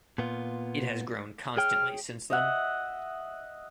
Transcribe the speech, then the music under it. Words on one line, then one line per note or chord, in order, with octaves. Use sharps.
It has grown constantly since then.
A#2 B3 F4
G#4 C#5 G5 F6
D#5 E5 F#5